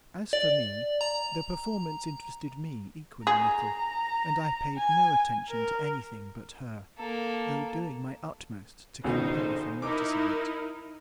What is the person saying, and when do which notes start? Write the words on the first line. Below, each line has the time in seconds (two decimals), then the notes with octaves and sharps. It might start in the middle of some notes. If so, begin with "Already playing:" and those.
As for me, the performance interested me equally little, and I paid no attention to anything but her, though doing my utmost to keep her from noticing it.
0.33 D5
1.01 A#5
3.27 G#4 A#5
4.76 G#5
5.48 A#4
6.99 A#3 A4
9.04 G#1 C#2 B2 D3 D#4 C5
9.82 D#4 E4 A#4 D6